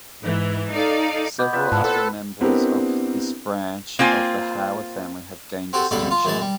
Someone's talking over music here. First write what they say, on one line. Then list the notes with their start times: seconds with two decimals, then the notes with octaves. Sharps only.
Several other members of this branch of the Howard family have gained distinction.
0.22 G#2 E3
0.70 D#4 A4 D5 F5
1.39 B3 D#5 D6 G6
1.53 G3 F4 B4 E5 D6 G6
1.72 G#2 E4 F#5 A5 F#6
1.84 C4 A4
2.41 B3 C4 D4 E4 G4 A#4
3.99 A#3 C4 F4 G#5
5.73 C4 F#4 G4 A4
5.91 C#2 G2 B2 D3 A4 B5
6.11 F4
6.25 F#2 E3 G#3 A5
6.41 G3